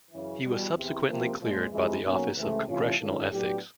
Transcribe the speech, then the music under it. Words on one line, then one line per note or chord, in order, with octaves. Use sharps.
He was subsequently cleared by the Office of Congressional Ethics.
F#2 C#3 E3
E2 B2 G3
E2 C3 E3
C#2 C3 F3 A#3
A#2 F3 G#3
F2 C3 E3 G#3
B1 B2 F#3 A#3 C#4
C#2 C3 E3 A3
C3 E3 A3 C#4 F4
D#3 G#3 C#4 F4 A4
A2 F#3 B3 D4 G4